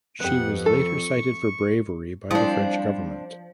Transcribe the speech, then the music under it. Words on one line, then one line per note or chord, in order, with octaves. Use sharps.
She was later cited for bravery by the French government.
F2 B3 G4 F#5
A4 C#6
F3 G3 C4 D4 E4 D5